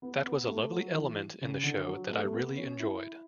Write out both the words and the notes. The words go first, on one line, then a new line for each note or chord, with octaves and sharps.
That was a lovely element in the show that I really enjoyed.
B3
B3
A3
F#3
E3
C#3
D3
F#3
A3
G3
A3
B3
C#4
E4